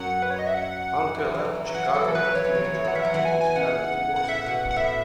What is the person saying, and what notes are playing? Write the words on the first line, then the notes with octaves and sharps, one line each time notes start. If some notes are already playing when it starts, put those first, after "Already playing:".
Huncke left Chicago as a teenager after his parents divorced.
Already playing: F#2 F#3 F#5
B4
C#5
D#5
E5
F#5
E3
F#3
E3
F#3
E3
F#3
E3 F#5
F#3
E3 A4
F#3
E3 B4
F#3
E3 C#5
F#3
E3
F#3
E3
F#3 F#5
E3 E5
F#3
E2 E3 F#5
G#5
G#5
C#3 F#5
A2 F#5
E5
B2 F#5
F#5
A2 E5